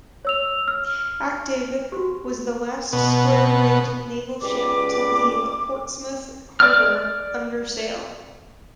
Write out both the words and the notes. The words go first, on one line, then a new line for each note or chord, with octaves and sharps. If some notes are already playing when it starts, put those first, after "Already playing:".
"Active" was the last square-rigged naval ship to leave Portsmouth Harbour under sail.
C#5 E6 F7
F6
F#4 G4
B2
C#2 G3 B4 D6
D5 F6